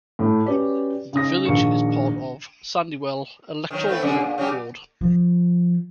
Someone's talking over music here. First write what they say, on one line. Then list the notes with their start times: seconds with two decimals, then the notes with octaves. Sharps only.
The village is part of 'Sandywell' electoral ward.
0.19 A2 A3
0.46 C#4 F#4 G4 B4 D5
1.13 C#3 D#4 D#6 A#6
1.45 A#1 D#3 A#4 C#6 C#7
3.71 D#3 F#3
3.88 A3 B3 C4
4.02 F#2 D3 G#3
4.21 A#2
4.38 C#3 F#3 G4
5.01 F3